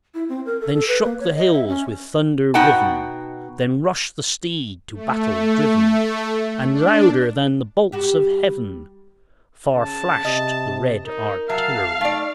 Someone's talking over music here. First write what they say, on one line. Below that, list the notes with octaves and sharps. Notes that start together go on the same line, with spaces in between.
Then shook the hills with thunder riven; Then rush'd the steed, to battle driven; And louder than the bolts of Heaven Far flash'd the red artillery.
E4
C4
A#4
A4
A4
B4
A#3
C#5
D#5
E5
C#4
B2 D#4 F#5 G5 A5
A3
D4
G3 F#4 G4
C#3 A5
C3 D#5
D#4 A#4
F#3 E5 F5 A5
A3 D#4 D5